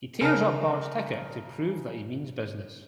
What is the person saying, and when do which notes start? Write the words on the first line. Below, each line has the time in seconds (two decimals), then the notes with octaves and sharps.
He tears up Bart's ticket to prove that he means business.
0.21 C#3 A#4 A5 F6